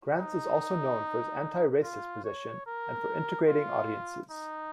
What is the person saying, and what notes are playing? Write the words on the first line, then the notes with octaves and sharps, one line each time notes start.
Granz is also known for his anti-racist position and for integrating audiences.
D#4
F4
C#5
A#4
F4
D#4